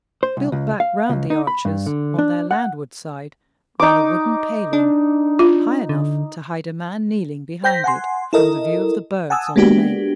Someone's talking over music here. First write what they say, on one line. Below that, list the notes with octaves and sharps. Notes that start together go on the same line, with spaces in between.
Built back round the arches, on their landward side, ran a wooden paling, high enough to hide a man kneeling behind it from the view of the birds on the lake.
C5
C2
C#2
F5
C#2
D#4
B5
G2
D3
D4
F#5
D#4 D6
D4
F4
D3
C5 G5 G6 A#6 B6
F#5 G#5 C6
E4 A4 A#4 D#5
F#5 G#5 A5 D#6 E6
G#3 A#3 B3 D4 F#4 G4